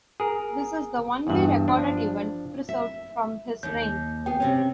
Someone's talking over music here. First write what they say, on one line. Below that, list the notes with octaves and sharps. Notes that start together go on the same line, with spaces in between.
This is the only recorded event preserved from his reign.
G#4 A#4
E2 G2
F3 D4
E5
D#2 D#4 G6
B3 G#4 G5
C3 C4 C#4